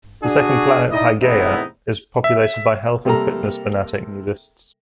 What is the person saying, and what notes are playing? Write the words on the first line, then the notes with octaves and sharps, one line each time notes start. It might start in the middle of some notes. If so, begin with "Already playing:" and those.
The second planet, Hygeia, is populated by health and fitness fanatic nudists.
D4 F#4 G#4
D#4 E4 D5 D#5
E2 A2 C3 B3 D#4 E4
E5
C3 G3 A#3 A4 A#4 A#5